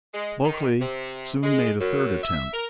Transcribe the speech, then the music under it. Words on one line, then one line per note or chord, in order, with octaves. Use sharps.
Bulkeley soon made a third attempt.
G#3
D#3
C3
G#3
F#2
E5
A#4